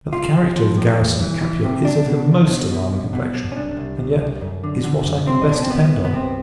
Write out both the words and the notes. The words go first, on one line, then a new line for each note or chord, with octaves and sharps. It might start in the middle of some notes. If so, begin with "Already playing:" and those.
But the character of the Garrison at Capua is of the most alarming complexion; and, yet, is what I can best depend on.
B1 F4
B1
F3
A2
E2
E3
E3
C3
C2 D4
B2
C2
B2
B2
B1
B2
B1
C#4
C2 D4
C2
C2
C2
F#2
D3
D3
F#2
C2 C4
D#4
B2 D4
C#4
C4
C2 B3
C2
B3
C2 C4